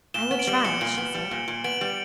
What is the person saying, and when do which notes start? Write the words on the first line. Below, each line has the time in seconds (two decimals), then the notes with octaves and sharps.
"I will try," she said.
0.14 A#2 E7 G7
0.31 B3
0.39 D7 F#7
0.47 G3
0.64 A#2 C#7 E7
0.81 A#2
0.98 B3
1.14 G3
1.31 A#2
1.48 A#2
1.64 B3 D7 F#7
1.81 G3